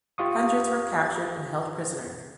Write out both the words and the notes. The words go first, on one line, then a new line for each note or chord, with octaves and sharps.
Hundreds were captured and held prisoner.
F4 G4 F5 C#6 D#6